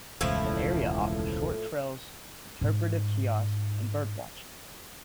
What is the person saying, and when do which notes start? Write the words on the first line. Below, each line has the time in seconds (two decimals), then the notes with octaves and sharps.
The area offers short trails, interpretive kiosks, and birdwatching.
0.21 E1 C#2 A2 F3 E4
2.61 G#2 D#4